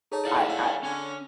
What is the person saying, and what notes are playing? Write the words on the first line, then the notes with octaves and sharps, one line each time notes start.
I I
D#4 G#4 A4 C#5 A5
E4 D5 F5 F#5
A3 G#5
D3 C#4